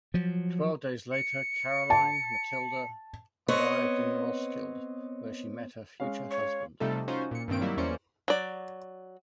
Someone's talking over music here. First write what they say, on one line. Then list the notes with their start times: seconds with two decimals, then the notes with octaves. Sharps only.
Twelve days later, Caroline Matilda arrived in Roskilde, where she met her future husband.
0.14 F3 F#3
1.12 C#7
1.90 A5
3.48 B3 C4 C#5 D#5
6.00 G#3 C#4 F5
6.31 C#5
6.80 C3 F3 G3 A3 D#4 A4
7.08 C#4 D#4 F4 F#4 C5
7.31 A#2 C#7
7.48 G2 A#2 D#3 C4 D7
7.61 F#3 G3 A#3 E4
7.77 E2 A#3 C#4 C5 D5 C#7
8.28 F#3 D5